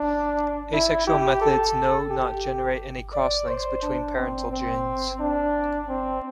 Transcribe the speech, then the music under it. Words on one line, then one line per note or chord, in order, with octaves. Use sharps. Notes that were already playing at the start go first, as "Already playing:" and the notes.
Asexual methods no not generate any cross links between parental genes.
Already playing: D4
E4
G4
A4
G4
D5
C5
D4
C4
C4
D4
C4